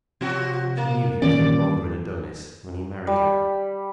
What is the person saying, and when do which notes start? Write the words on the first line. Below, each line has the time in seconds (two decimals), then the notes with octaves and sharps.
"She knew he was no longer an Adonis when he married her."
0.21 C3 F3 F#4
0.77 A#3
1.22 A#2 D#3 E3 C#4 D5
3.07 G3